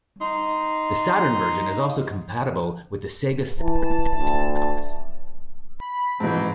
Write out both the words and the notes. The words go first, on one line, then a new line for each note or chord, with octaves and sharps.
The Saturn version is also compatible with the Sega Saturn Netlink Mouse.
D#4 C6
E3 A5
D2
B5
G#2 B2 E3 F3 C4